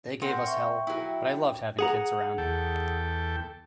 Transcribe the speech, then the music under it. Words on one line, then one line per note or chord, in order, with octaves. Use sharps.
They gave us hell, but I loved having kids around.
C4 A#4 F#5
E5 C#6
F#3 E4 G5
G#4 F#5 A#5
E2 A4 G5